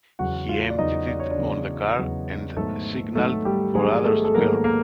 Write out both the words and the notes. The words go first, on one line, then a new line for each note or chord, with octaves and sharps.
He emptied it on the car and signalled for others to help.
E2 C#3 F#3 B3 F#4 F#5
F4 F5
D5
E2 C#3 F#3 B3 D#4 D#5
D5
C#5
D4 D5
E2 C#3 F#3 B3
E2 C#3 F#3 B3
G#2 D#3 F#3 A3 B3 A4
G#2 D#3 F#3 A3 B3 A4
G3 G4
G#2 D#3 F#3 G#3 B3 G#4
A3 A4
A4
G#2 D#3 F#3 A#3 B3 A#4
A#3 A#4